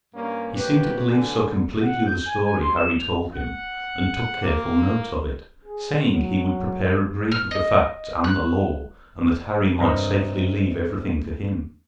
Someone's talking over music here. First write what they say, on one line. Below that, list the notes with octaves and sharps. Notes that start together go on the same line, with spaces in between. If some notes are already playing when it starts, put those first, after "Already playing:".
He seemed to believe so completely the story Harry told him, and took careful notes of it, saying he would prepare a brief of the facts and the law, and that Harry might safely leave everything to him.
G2 A#3 C#4
F1 F#3 A#3 G4 B4
D3 G#5
F#5
G6
G#5
G#5
C6
E7
F7
F#5
A#3
G#4
F#3
F6
D#5
F#6
G2 C3 A#4 D#5